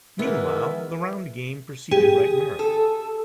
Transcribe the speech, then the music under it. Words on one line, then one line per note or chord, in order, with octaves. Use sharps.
Meanwhile the round game proceeded right merrily.
D#3 E3 G#3 B3 A#4 E5
G4 G#4
A4